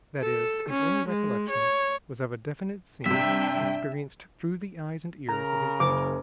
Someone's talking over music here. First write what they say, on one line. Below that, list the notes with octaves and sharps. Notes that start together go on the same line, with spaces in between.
That is, his only recollection was of a definite scene, experienced through the eyes and ears of his agent.
A4
C#4
G#3
C#5
G2 C3 D4 E5 G5
C#3 A#4 A#5
F#1 D6